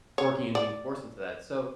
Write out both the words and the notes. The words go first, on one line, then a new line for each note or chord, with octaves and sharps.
working and being forced into that, so
C#5
D5